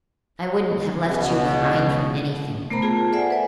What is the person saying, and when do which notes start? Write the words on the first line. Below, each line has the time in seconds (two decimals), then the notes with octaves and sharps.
I wouldn't have left you behind for anything!
1.07 C#2 B2
2.70 A3 B3 A#4 C5 A#5 B5
2.82 F4 G#4 A5
3.12 A4 C5 D5 E5 F#5 G#5
3.30 B4 D5